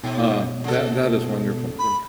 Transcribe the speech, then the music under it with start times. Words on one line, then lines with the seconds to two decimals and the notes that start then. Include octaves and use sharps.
Um, that that is wonderful, wonder
0.04 G#2 B2
0.64 C#3 A4
1.79 B5